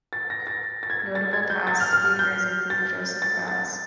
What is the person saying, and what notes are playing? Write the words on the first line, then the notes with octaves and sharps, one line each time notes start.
Notable past speakers include Joseph Raz.
A6
A#6
A6
A6
G#6
A6
G#6
G6
A6
F6
F6
G6
A6
A6
A6